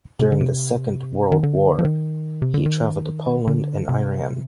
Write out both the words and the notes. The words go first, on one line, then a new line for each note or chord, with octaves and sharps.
During the Second World War he travelled to Poland and Iran.
C3
D3
C3
D#3
D3
F3
D#3
C3
D3
D#3
D3
C3